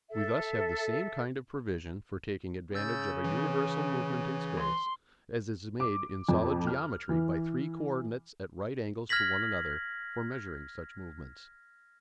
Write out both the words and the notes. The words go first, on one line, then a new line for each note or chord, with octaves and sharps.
We thus have the same kind of provision for taking advantage of a universal movement in space as is made in solid geometry by three co-ordinates at right angles to one another for measuring such movements.
A4 E5
C#3 E6 G6 A6
E3
C6
D6
F2
F6
E3
F6 G#6 A#6 B6 F#7